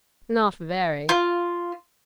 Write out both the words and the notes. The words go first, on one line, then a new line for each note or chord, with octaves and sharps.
"Not very."
F4